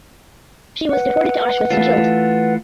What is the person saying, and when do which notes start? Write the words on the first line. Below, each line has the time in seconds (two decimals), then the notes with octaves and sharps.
She was deported to Auschwitz and killed.
0.91 B4 F#5
1.71 E3 A3 F4